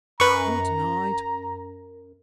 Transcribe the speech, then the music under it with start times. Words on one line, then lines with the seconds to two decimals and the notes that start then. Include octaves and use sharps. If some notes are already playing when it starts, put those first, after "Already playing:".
Good night!'
0.20 F#2 B4 A#5 C#6